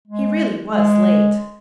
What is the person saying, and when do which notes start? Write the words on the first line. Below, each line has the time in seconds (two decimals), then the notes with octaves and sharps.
He really was late.
0.07 G#3
0.71 G#3